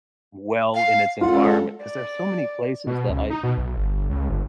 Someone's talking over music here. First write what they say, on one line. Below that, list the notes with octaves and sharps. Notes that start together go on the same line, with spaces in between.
well in its environment 'cause there are so many places that I
F5
G#3 C#4 F4 A4 F#5
D5
B2
C#2
D#4
B2
B1
G1
C#2
G1